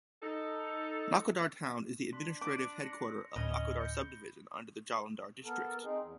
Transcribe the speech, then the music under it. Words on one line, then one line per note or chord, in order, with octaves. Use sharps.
Nakodar Town is the administrative headquarter of Nakodar subdivision under Jalandhar district.
D#4 A4
D4 C6 B6
D6
A#6 C#7
D1 C#4 D#5 B5 G7
G6 C#7
B3 A4 A#4
C4 D#4 G#4
E2